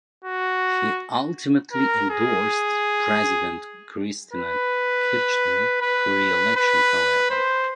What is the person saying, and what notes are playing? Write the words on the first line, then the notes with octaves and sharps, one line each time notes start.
He ultimately endorsed President Cristina Kirchner for re-election, however.
F#4
A#4
G#4
B4
B4
B4
C5